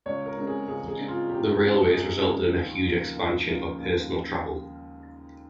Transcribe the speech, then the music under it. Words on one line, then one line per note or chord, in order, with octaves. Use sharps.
The railways resulted in a huge expansion of personal travel.
C#2 C#5
A#4
C#3 G#3 C4
G#4
C#2 G#4
G#4
C#3 G#3 C4
F4
C#2 G4
C#3 G#3 C4
C#2 G#4
C#3 G#3 C4
D#2
C#3 F3 A#3
D#2
C#3 F3 A#3
D#2